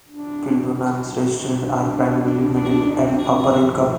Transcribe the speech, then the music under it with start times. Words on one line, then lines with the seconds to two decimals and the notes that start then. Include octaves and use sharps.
Kildonan's residents are primarily middle and upper-income.
0.09 D4
1.62 D4
2.23 D4
2.39 D4
2.54 D4
2.69 D4
2.84 D4
2.90 D#4
2.94 D4
3.05 C4
3.15 D4
3.30 C4
3.76 G#3